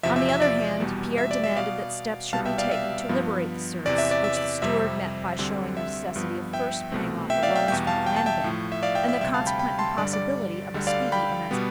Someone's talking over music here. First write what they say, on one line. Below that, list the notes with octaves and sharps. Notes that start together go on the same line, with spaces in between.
On the other hand, Pierre demanded that steps should be taken to liberate the serfs, which the steward met by showing the necessity of first paying off the loans from the Land Bank, and the consequent impossibility of a speedy emancipation.
E2 C3 F3 C4 E5
E5
E5
D5
E2 B2 G3
E5
D5
E5
B2 B3 D5 F5
C2 B2 G3 B3 F5 A5
E5 G5
D5 F5
E5
G2 F3 B3
E2 C3 E3 D5
E5
D5
E5
D5
F2 C3 G3 C4 E5
D2 D3 G3 C4
E5
G2 F3 B3
E5 G5
C2 B2 A3 C4
E5 G5
D5 F5
E5 G5
E2 B2 G3 E5 G5
F5 A5
G5
A5
E5 G5
A2 F3 A3
E5
D5 F5
E5 G5
E5 G5
D2 C3 G3 E5 G5
F5 A5
G5 B5
G5 B5
A5 C6
G2 D3 G3 D5
D5
D2 D3 G3
D5 F5
G5 B5
B2 G3 B3